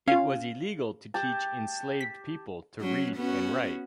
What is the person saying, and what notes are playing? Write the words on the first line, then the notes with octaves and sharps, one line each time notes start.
It was illegal to teach enslaved people to read and write.
C#4 F4 F5
G4 A5
B6
F#3 C#4
B3 C#4 F#4